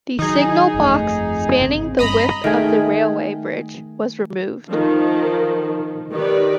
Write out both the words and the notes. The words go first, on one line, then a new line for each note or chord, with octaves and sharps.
The signal box spanning the width of the railway bridge was removed.
D#3 F#3 D#4 G#4
G1 F2 A3
G#1 C#3 C4
G1 G2 D#5 A#5 B5
D#3 A3 G#4
D#3 F3
D#3 G4 B4 D5